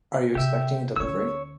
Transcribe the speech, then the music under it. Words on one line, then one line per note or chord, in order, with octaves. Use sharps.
Are you expecting a delivery?
C3 G4 E5
D2 C#4 C#5 E6